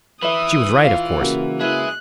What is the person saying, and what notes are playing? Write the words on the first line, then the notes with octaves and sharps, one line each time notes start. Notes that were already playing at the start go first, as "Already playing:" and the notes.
She was right, of course.
E3 B4 E5 D#6
F4 F5
C#3 A#3 F#4
E4 G#4 B4 D#5 E5 F#6